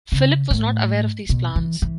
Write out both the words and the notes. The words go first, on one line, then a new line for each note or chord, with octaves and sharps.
Philip was not aware of these plans.
C#3
A2
B2
E3
E3